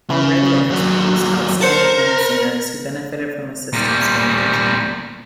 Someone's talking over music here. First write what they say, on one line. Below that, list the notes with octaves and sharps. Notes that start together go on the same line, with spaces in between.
Already it has produced outstanding young singers who benefited from assistance during their training.
C#3
D#2 F#3
A#4 C5 F#5 A5
A#2 G3